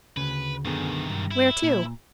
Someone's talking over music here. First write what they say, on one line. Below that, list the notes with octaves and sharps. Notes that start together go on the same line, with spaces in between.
"Where to?"
D2 C#3 B4
F#2 D3 D#3 B3 G#4
G2
E4
A#2